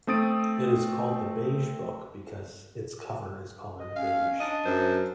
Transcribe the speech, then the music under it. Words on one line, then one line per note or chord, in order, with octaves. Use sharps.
It is called the "Beige Book" because its cover is colored beige.
A3 C4 D#6 A6 D7
D#5
C#4 F5
D4 D#5
F#2 C5